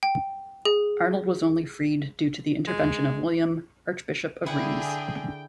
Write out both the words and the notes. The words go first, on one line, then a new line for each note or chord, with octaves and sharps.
Arnold was only freed due to the intervention of William, Archbishop of Reims.
G5
G#4
G#3
D3 E4 G#4 F#5 G5